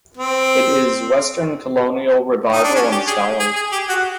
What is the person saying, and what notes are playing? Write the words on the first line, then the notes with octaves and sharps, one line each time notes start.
It is "western colonial revival" in style.
C4
D#4
D4
C#4
G4
G#4
G#4
G#4
G4
F#4